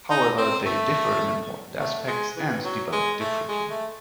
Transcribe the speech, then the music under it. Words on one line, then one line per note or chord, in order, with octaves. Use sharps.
However, they differ in important aspects, and developed differently.
D#4
C4
A3
A3
G#3
E3
F#3
G#3
A3
G#3
A3